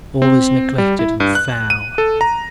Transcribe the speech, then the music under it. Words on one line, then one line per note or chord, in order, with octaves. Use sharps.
All is neglected and foul.
C4
G3
E4
G2
F#6
D#7
A4
A#5